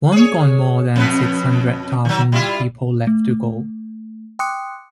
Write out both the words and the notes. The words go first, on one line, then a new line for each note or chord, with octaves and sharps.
One gone, more than six-hundred-thousand people left to go.
G#4 C#5
F2 B2 B4
D#3 F#3
G3 E4 F4
A3
G5 C6 D6 D#6 F#6 C#7